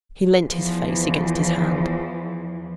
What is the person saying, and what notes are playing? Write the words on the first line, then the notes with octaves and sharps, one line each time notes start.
He leant his face against his hand.
E2 E3 F3